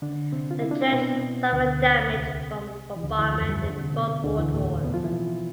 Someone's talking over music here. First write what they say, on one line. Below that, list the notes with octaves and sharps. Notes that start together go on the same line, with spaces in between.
The church suffered damage from bombardment in both World Wars.
D3 D4
C3 C4
F4
E4
D4
C4
B2 B3
D2 D3
C2 C3
E3
D2 D3
E2 E3
F2 F3
G2 G3
D3
C3
B2
D2 D3
E2 E3
A2 A3
B2 B3
F3 F4
E3 E4